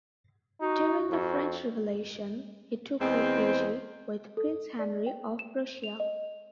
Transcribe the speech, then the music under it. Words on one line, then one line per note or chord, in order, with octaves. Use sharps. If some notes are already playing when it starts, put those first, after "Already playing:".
During the French Revolution he took refuge with Prince Henry of Prussia.
D#4 F#4
F2
E2 G#3 C4
A4
D5
G5
E7
F7
D#5